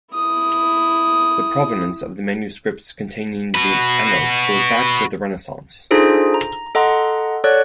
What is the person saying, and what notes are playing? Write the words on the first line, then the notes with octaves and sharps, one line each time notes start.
The provenance of the manuscripts containing the "Annals" goes back to the Renaissance.
E4 D#6
F#4 B4
D4 D#4 F4 G#4 A4 C5
A#5
A4 D#5 F#5 A#5 C6
A4 C#5 D5 F#5 F#6